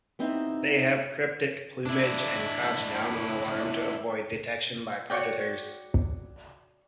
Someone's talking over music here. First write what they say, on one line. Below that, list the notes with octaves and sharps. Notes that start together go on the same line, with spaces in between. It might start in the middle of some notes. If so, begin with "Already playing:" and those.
They have cryptic plumage and crouch down when alarmed to avoid detection by predators.
B3 C4 D#4 E4 G4
D4 E4
F#4 C#5 D5 G5